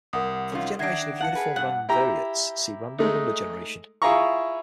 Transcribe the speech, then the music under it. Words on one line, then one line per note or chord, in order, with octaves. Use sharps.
For the generation of uniform random variates, see Random number generation.
C2 A#4 F#5 D#6
C#4 D#4 F4
D#3 D4 E5 F#5 G#6 A#6 C7 D7
F5 F#5 A5 C#7
G#4 B4
G2 F#5 F#6
E4 G4 A#5
G#3 A3 D#4
E4 F4 G#4 F5 A#5 C#6